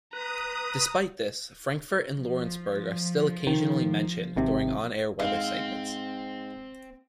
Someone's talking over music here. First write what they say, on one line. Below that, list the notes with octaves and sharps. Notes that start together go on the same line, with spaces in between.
Despite this, Frankfort and Lawrenceburg are still occasionally mentioned during on-air weather segments.
B4 A#5 D#6
F3
D#3
G#1 C3 C4
G#2 C4 F5